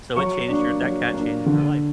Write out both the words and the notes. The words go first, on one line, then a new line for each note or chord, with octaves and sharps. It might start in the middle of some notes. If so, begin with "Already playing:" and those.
So it changed your That cat changed your life.
F#3 C#6
A#3 D4
F#3
A#3 D4
D3